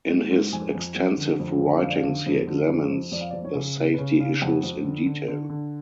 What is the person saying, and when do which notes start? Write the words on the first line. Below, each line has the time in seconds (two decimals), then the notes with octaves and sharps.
In his extensive writings he examines the safety issues in detail.
0.10 G#2
0.31 G#2
0.53 F2 G#5
0.75 F2
0.96 F2
1.17 D3
1.40 F2
1.61 D3
1.82 F2 F5
1.90 D5
1.99 D3 F5
2.26 F2
2.47 D3
2.69 F2
2.90 F2
3.12 F2 D5
3.21 F5
3.31 F2 D5
3.45 C#5
3.55 C#3
3.77 C#3
3.94 B4
3.98 C#3 C#5
4.20 C#3 F5
4.42 F2 F#5
4.63 F2
4.84 D3
5.06 D3
5.28 D3
5.49 D3